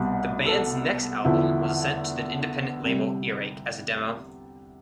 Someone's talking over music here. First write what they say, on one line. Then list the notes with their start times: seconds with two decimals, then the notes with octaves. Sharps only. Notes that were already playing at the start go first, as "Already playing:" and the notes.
The band's next album was sent to the independent label, Earache, as a demo.
Already playing: C2 B2 G3
0.46 A4
1.25 E2 D3 F3 E4
2.83 C3 G3